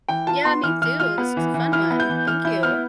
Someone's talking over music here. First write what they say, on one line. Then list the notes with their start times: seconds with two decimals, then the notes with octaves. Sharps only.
Yeah, me too, this was a fun one, thank you.
0.09 E3 G5
0.27 F4 A5
0.45 B3 C6
0.63 E3 F6
0.81 E3 F6
1.00 F4 F6
1.18 B3
1.37 E3
1.54 E3
1.72 E4 F6
1.91 B3
2.00 G6
2.09 E3
2.27 E3 F6
2.45 E4 G6
2.63 B3 F6